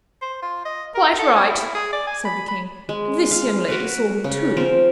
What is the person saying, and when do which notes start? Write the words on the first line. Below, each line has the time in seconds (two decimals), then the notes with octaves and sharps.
'Quite right,' said the King: 'this young lady saw him too.
0.22 C5
0.42 F4
0.65 D#5
0.95 A#4
1.19 A4
1.36 C#5
1.50 E4
1.75 G#4
1.93 D5
2.07 G#5
2.25 B5
2.48 B5
2.89 G#3
3.31 F5
3.68 F#4 A#4 B4
4.24 C#3
4.57 F3 C4 A#4